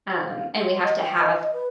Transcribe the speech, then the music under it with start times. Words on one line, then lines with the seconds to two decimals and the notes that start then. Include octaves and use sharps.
um, and we have to have
0.13 C5
0.27 F5
0.56 C6
0.83 D#5
0.97 G5
1.20 D#5
1.41 D#5
1.53 B4